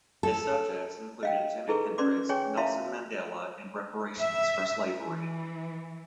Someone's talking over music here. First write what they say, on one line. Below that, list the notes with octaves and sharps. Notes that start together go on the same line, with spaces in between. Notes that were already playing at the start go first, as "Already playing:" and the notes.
His subjects included Jimi Hendrix, Nelson Mandela, and reparations for slavery.
A4
D#5 F5 G5
D#4 E4 G#4 A4 B4 C#6
C#4 B4 D5 C6 D6
G#4 C#5 G5 G#5 C#6
E4 E5 F5 A5 C6
E5
E3